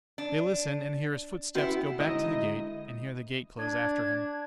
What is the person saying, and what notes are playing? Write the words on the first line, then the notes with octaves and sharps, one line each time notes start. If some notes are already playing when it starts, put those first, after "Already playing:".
They listen, and hear his footsteps go back to the gate, and hear the gate close after him.
D4
B3 C#4 E4 F#4 F#5
D3 G#3 D#4 E4 D#5
D4 G#6